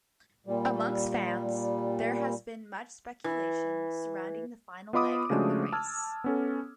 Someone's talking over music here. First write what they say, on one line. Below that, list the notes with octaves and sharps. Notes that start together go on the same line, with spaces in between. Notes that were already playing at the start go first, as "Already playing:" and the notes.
Amongst fans, there has been much speculation surrounding the final leg of the race.
A#2 G3
E3
B3 F4 D#5 B5 D6 D#6
C#3 F3 G#3 A3 D4 F#4
A5 E6 F6 G#6
B3 C#4 A4